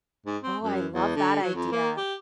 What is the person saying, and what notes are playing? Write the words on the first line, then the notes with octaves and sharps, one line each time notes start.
Oh, I love that idea.
G#2
C4
F#2
E2
D3
F#3
F2
A#3
G4